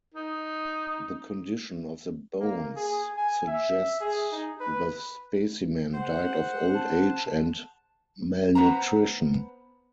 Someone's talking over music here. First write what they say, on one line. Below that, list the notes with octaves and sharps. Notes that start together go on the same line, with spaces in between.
The condition of the bones suggests the specimen died of old age and malnutrition.
D#4
A#3
G#4
G#5
E5
G#4
D#4
B4
G#4 C5 F#5
A5
B3 B4 C5 A#5